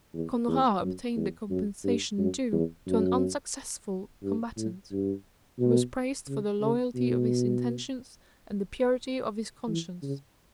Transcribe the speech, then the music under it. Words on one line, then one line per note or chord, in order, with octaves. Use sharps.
Conrart obtained the compensation due to an unsuccessful combatant; he was praised for the loyalty of his intentions, and the purity of his conscience.
E2
E2
F#2
E2
F#2
G2
F#2
E2
F#2
G2
A2
G2
B2
C#3
C#3
B2
E3
C#3